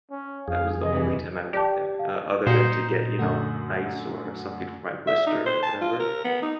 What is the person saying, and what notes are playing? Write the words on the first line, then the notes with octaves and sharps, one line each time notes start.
that was the only time I went there, uh, other than to get, you know, ice or something for my blister, whatever,
C#4
F2 G#4 F5
C3 E3 D#5
G4 D5 A5
F5
A#2 D#4 F#4 C5 G6 C#7
F#2 D3 A3 D4
E5
D#4
C5
A5
F4
A#4
B3
D#4